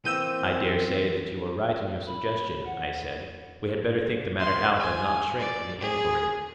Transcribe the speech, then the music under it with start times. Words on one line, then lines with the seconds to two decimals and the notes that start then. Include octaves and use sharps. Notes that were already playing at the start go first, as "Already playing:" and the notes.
I dare say that you are right in your suggestion, I said; we had better think the matter out, and not shrink from the enquiry.
0.05 E3 A#3 C4 E6 G6 D#7
2.07 B5
2.66 F#5
4.39 C6
4.78 G#5
5.39 D5
5.80 G#4